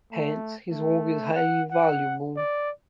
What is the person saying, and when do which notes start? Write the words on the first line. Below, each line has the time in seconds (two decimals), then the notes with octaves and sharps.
Hence, his work is highly valuable.
0.12 A3
0.70 A3
1.34 F#5
1.71 F#5
2.36 D5